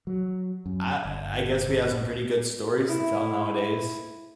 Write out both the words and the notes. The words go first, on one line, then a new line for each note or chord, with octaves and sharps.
I I guess we have some pretty good stories to tell nowadays.
F#3
F#2
G1
E4